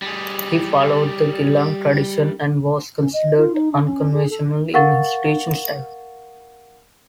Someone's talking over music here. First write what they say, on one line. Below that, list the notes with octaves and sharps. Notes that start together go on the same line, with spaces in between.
He followed the Gelug tradition, and was considered unconventional in his teaching style.
G3 G#4
C#4
D#5
F4
D#4
D4
C#4
G#4
A4
A#4 F5 F#5 C#6 A6